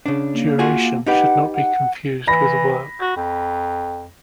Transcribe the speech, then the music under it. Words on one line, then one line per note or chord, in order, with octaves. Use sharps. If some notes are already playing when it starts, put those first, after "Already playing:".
Duration should not be confused with work.
C#3 D4
A#3
F4 F#4 G#4
D#4 G4 B4 F#5
F#5
E3 B5 A#6
F#4
F2